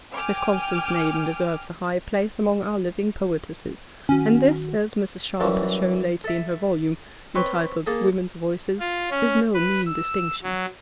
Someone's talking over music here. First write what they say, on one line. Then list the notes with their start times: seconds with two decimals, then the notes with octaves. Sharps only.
Miss Constance Naden deserves a high place among our living poetesses, and this, as Mrs. Sharp has shown lately in her volume, entitled Women's Voices, is no mean distinction.
0.14 G5 G#5 D6 F6
4.09 D#3 C#4 F#4
5.40 F#2 E3 F#3 G3
6.24 A4 E5
7.35 C4 B4 C#5 G5
7.87 A#3 G#4 A4
8.80 F4
9.11 C#4
9.54 B4
9.86 E6
10.43 F#3